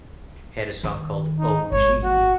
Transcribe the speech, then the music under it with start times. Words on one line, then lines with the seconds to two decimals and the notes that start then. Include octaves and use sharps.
had a song called OG,
0.83 D#3
1.39 D#4
1.72 G#1 G#2 C#5
2.04 F#4